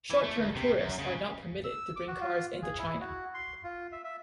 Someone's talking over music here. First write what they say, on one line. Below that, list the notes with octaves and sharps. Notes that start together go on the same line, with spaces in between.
Short-term tourists are not permitted to bring cars into China.
E3
A3
D2
C3
F#2
C#3
E6
D6
F#4
F4
G#4
E4
F#4
C6
F4
E5
E5